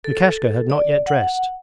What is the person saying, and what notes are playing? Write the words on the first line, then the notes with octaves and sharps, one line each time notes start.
Lukashka had not yet dressed.
A4
D5
F#5